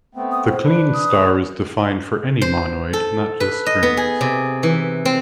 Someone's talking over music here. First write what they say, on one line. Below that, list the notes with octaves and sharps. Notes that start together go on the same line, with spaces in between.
The Kleene star is defined for any monoid, not just strings.
A3 B3 C4
D#6
C5
D4 B4
D#6
C5
A4
B4
D#5
B3
G#4
C3
E3
C4